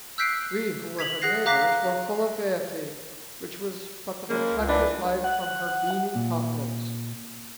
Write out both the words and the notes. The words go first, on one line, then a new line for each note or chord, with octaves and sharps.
We who were her neighbors were full of gayety, which was but the reflected light from her beaming countenance.
E6 F#6 G6 B6 C7 D7
G#6 B6 F7 F#7
G#4 F#5 F#6 A#6 C7
F5 A#5 D6 F#6 A#6 B6
C#3 G#3 A#3
C#2
E3 D4
F#5
A#2